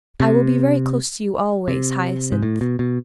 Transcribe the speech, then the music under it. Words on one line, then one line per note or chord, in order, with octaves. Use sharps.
"I will be very close to you always, Hyacinth."
C3
C3
G#2
A2
B2
B2